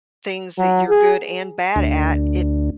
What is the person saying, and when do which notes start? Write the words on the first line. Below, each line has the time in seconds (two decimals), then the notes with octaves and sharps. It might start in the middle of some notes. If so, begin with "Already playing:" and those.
things that you're good and bad at it
0.58 F#3
0.90 G#4
1.76 D2